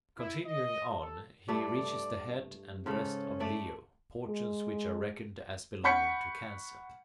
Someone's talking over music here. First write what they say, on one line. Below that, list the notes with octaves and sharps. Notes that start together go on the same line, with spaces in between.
Continuing on, he reaches the head and breast of Leo, portions which are reckoned as belonging to Cancer.
E4
D#5
A4
G2 A3 D5
G#2 C#3 C#4 A4
A3 D5 E5
G#3
F#5 B5 C#6 G6 B6 C#7